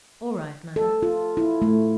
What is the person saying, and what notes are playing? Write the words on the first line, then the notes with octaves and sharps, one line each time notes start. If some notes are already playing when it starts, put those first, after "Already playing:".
'All right, Mother.
A4
F4
E4
A3